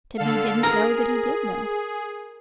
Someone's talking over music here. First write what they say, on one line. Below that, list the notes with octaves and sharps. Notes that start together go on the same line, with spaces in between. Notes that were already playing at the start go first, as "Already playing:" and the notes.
Tibby didn't know that he did know.
D3 A4 F5
G#4 A#4